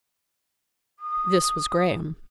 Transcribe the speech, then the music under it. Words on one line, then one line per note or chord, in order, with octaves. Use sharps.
This was Graham.
D#6